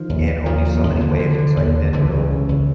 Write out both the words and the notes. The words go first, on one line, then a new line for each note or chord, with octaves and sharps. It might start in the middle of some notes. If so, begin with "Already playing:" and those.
in only so many ways, it's like, man, you know,
Already playing: D#3 F3
D#2
D#2
D#2 D#3 F3
D#2
D#2
D3
D3
D3
D#2
D3
C#2 D3 E3
C#3
C#3
C#2